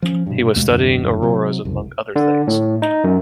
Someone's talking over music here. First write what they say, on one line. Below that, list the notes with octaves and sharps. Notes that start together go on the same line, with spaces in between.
He was studying auroras among other things.
F3 C#4
G2 B2
D#2 B2 G#3 A#3
D#1 F#2 D3
C3 F#3
F#1 C2
D3
A2
D#4
F#2